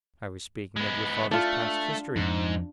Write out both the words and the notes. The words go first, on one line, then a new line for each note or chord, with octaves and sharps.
I was speaking of your father's past history.
G#3 B3
A3 D4 F4
F2 G#2 F3